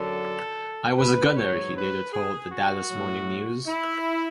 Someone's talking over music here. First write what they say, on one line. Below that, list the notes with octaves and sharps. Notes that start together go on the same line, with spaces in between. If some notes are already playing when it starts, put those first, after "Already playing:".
"I was a gunner", he later told the "Dallas Morning News".
Already playing: F#2 D3 F#3 A4
B4
G#2 F#3 C#5
B4
G#4
F#4
A2 F#3
E4